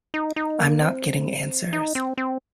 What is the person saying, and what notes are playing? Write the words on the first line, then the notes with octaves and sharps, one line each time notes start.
I'm not getting answers.
D#4
D#4
A#3
C4
D#4
C4
C4